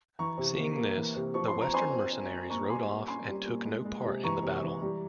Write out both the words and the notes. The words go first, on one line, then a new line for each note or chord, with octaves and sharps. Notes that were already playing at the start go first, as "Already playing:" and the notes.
Seeing this, the Western mercenaries rode off and took no part in the battle.
E3 A#5 C#6
C3
A#3
A#3
E3
C3
F3 C#6
C6
C4
A#5
C4 G#5 C6
C4
C4
C4
A#2 A#5 C#6
G3 G#5 C6
A#2
C#4 G#5 C6
G3
A#2
G#3
G#3
C3
E3 A#5 C#6
C3
E3
G3